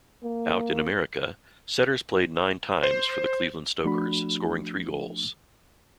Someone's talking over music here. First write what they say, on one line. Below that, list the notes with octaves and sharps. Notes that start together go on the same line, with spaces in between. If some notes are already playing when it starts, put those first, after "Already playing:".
Out in America, Setters played nine times for the Cleveland Stokers scoring three goals.
A#3
C5
F3 A3 D4 F#4 B5